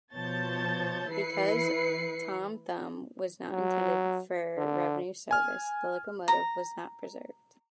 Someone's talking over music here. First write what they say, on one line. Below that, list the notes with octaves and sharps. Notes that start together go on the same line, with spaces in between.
Because "Tom Thumb" was not intended for revenue service, the locomotive was not preserved.
B2 F3 C#5 A5 G6 A6
E3 E4 B4 C7 C#7
F#3
D3
G#5 F6
A#5